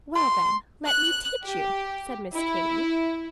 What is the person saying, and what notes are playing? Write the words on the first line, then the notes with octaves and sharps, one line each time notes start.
"Well, then, let me teach you," said Miss Katy.
C6
F#6
G4
E4